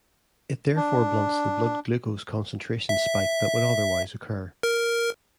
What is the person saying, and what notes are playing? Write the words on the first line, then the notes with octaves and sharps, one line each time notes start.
It therefore blunts the blood glucose concentration spike that would otherwise occur.
D4
E5
A#4